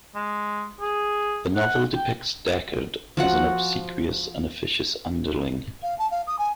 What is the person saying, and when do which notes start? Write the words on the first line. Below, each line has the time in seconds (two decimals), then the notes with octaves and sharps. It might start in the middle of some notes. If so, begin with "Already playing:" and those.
The novel depicts Deckard as an obsequious and officious underling.
0.15 G#3
0.80 G#4
1.55 F#5
1.95 G5
3.17 F3 F#4 F#5
5.83 F5
5.99 A5
6.11 F5
6.27 D#6
6.39 G#5